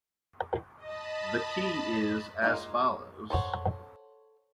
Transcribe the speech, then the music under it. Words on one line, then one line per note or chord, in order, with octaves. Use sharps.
The key is as follows.
D#5 A5 B5
G#3 A#3 B3 D#4 F4
A4 C5 C#5 F#5